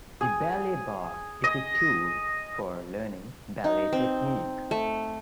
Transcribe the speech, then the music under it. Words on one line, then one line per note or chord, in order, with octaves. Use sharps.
The ballet barre is a tool for learning ballet technique.
G#4
D#5
D#4
C4
A3